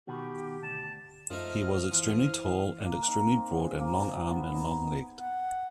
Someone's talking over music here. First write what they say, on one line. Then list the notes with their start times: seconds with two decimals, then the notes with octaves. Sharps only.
He was extremely tall, and extremely broad, and long-armed, and long-legged.
0.07 B2 D#3 F#4 G4
0.63 D2 A5
1.30 F#2 F3 A3 D#4 F5 D#6 F6
1.91 E3 F3
2.85 A#3
3.08 D#4
3.37 C4
3.58 G#4
3.80 A#3
4.30 B3
4.54 D#4
5.18 F#5